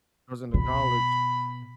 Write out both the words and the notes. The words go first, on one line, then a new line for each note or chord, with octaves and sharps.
I was into college,
B2 B5